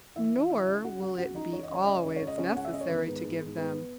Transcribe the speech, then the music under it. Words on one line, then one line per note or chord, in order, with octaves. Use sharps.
Nor will it be always necessary to give them.
E3 E4 E5
E3
C#3 E4 E5
C#2
C#2 F#4 F#5
C#2 F#4 F#5
C#2 F#4 F#5
C#2 D#4 D#5
E3 C#5
D#5
C#3 C#5
C#2 D#5
C#5
C#2 D#5
C#2 C#5
D#5
C#3 C#4 C#5
C#2 F#5
E5
C#2 D#5
C#5
D#3 B3 B4
G#2
G#2
G#2
G#2 B3 B4